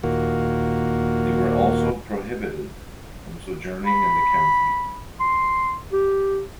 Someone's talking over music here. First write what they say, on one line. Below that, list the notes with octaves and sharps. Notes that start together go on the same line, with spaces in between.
They were also prohibited from sojourning in the county.
D#2 A#2 A#3 F#4
B5
C6
G4